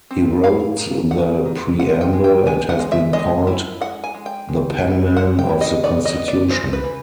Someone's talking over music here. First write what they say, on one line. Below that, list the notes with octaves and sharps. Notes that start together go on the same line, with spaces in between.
He wrote the preamble, and has been called the Penman of the Constitution.
C4
E4 F5
D#3
C4 F#5
D#3
G#3 F#5
G5
G#3
G5
B3 G#5
F#5
G#3
E5
G#3 D#5
E4
G#3 F#5
G#5
G#3
G5
G#3
E4
G#3 F#5
G5
E4
D#5
B3 D5
D#5
B3
D5
E3 C5
B4
E3